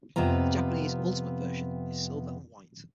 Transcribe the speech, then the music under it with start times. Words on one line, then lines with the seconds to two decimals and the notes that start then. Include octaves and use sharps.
The Japanese "Ultimate Version" is silver and white.
0.16 F2 C3 B3 F4 A#5